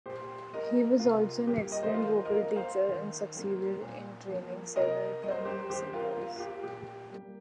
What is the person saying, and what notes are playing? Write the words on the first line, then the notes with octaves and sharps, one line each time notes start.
He was also an excellent vocal teacher and succeeded in training several prominent singers.
A#2 G4 C5
A#3 A#4 D#5
C3 F4 A#4
G3 A#3 G4
D#5
C5
D#3 F4 A#4
A#4 D#5
A#3
C5 F5
D#3
G3 A#3
A#2
F3 A#3
C3 A#4 D#5
G3 A#3 D#5
C5
A#4
G4 C5
D#3 G4 C5
F4 A#4
A#3 F4
F4
G4
A#2 G4
G3 A#3